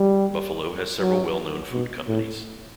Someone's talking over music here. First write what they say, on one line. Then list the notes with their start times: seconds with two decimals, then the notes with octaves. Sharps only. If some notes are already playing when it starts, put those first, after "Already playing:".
Buffalo has several well-known food companies.
Already playing: G3
1.01 F#3
1.72 B2
2.08 A2